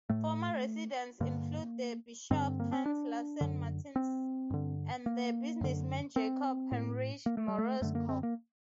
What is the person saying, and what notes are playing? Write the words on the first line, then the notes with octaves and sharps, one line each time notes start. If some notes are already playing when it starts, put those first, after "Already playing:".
Former residents include the bishop Hans Lassen Martensen and the businessman Jacob Heinrich Moresco.
A2 A3
G2 D3 A#3
G2 D3 C4
A#3
C4
D4
F#2 D3
C4
G2 D3
A#3
F#2 D3
C4
A2
A#3
A3
G3
A3
F#2 D3 A3
A#3
C4
A#3